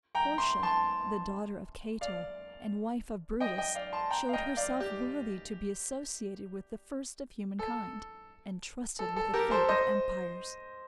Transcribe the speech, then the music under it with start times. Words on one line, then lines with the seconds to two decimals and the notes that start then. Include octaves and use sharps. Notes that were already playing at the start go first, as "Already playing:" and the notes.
Portia, the daughter of Cato, and wife of Brutus, showed herself worthy to be associated with the first of human kind, and trusted with the fate of empires.
0.15 G5 A#5
0.38 C6
0.63 A5 C6
2.01 D5 F5
3.40 D#5 G5
3.58 D#5 G5
3.75 D5 F5
3.93 A5 C6
4.10 G5 A#5
4.29 F5
4.33 D#5 G5
4.57 D5 F5
4.80 G4
7.59 A4
8.99 A4
9.16 A4
9.34 G4 A#4
9.51 A4 C5
9.69 C5 D#5